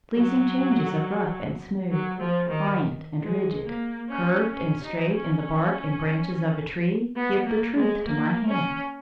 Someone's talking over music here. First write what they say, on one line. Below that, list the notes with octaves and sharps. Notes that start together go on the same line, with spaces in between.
The pleasing changes of rough and smooth, pliant and rigid, curved and straight in the bark and branches of a tree give the truth to my hand.
F#3
F#3
F3
D#3
G#3
A#3
C#4
C#4
D#4
C#4
B3
A#3
G#3
A#3
C#4